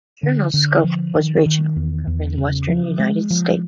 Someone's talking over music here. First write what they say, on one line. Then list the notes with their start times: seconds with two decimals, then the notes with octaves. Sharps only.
The journal's scope was regional, covering the western United States.
0.23 D3
0.54 D3
0.84 F3
1.15 D#3
1.46 D#3
1.76 E2
2.07 E2
2.37 C#3
2.68 F3
3.00 G#3
3.30 F3